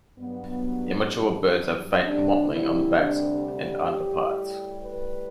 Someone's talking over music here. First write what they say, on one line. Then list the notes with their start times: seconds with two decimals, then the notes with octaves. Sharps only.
Immature birds have faint mottling on the back and underparts.
0.17 G2 F#3 B3
2.03 D2 C3 G3 D4
2.50 E4
2.97 D4
3.44 G4
3.90 A2 G3
4.83 B4